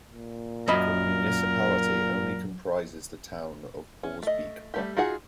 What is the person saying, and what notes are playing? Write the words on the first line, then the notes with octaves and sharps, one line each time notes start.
The municipality only comprises the town of Borsbeek proper.
A#2
F#2 A#4 D#5 B5
C#4
A3 D#5
G3 A3 G4
D#4 F4 F#4 G#4 F#5